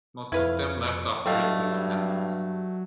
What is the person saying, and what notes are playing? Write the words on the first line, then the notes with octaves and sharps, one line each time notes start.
Most of them left after its independence.
F2 E4 B4 F5
G2 F#3 G3 A3 A4 D#5 F5